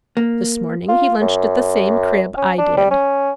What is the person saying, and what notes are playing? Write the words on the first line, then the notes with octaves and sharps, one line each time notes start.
This morning he lunched at the same crib I did.
A#3
F4
F#2
C#4
D4
G3
C#4